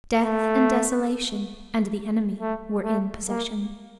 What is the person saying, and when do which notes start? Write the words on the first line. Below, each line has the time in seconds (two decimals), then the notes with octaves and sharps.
Death and desolation and the enemy were in possession.
0.21 A3
2.41 A3
2.84 A3
3.28 A#3